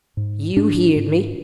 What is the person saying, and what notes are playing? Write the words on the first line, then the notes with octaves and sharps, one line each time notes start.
"You heerd me!"
G#2
G#2 D4
G#2